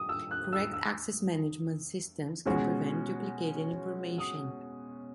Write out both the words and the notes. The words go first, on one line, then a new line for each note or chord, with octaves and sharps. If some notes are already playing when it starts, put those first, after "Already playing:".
Correct access management systems can prevent duplicated information.
Already playing: D#6
E6
F#6
E6
E6
B2 G#3 C#4 F#4
D#6